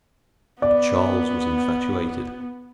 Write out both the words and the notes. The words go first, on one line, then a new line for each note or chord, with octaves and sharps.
But Charles was infatuated.
B3 D5